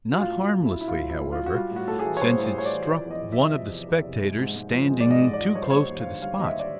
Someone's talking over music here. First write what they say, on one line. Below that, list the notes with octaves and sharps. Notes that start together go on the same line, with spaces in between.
Not harmlessly, however: since it struck one of the spectators standing too close to the spot.
F#4
A2 F4
F#3
F4
A2
E4
F#3
E4
A2 F4
F#3
E4
A2
F4
F#3
F#4
G3 F4
A2
F#4
A2 A4
G#4
E3
C#5
G3 C5
A2
C#5
A2 C#5
D5
E3
F3 D5
E2
D#5
E2
E5
C3
F3
E2
E2
C3
G#3
G#2
G#2
F3
G#3
D5
G#2 D#5
G#2
D5
F3
G3 C#5
C5
D#2 C#5
D#2
F5
D3
G3 F5
D#2 D#5
E5
D5